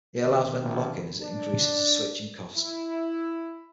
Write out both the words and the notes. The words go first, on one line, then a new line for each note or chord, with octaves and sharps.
It allows vendor lock-in as it increases the switching cost.
D#3
A#1 C3
D4
E4